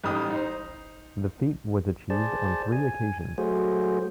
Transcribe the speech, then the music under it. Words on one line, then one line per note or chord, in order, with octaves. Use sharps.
The feat was achieved on three occasions.
A1 G#2 G3 B5 D#6
D#4 C5
G#4 C5 D5 A5
G#5
F#3 A3 F#4 G#4 C5